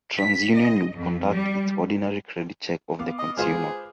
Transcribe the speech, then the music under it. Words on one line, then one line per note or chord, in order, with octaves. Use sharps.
TransUnion would conduct its ordinary credit check of the consumer.
B6
D#5
F2
G3
B3 F5 D6
D#5
G#3 F4 G#4 B4 C5 C6 F6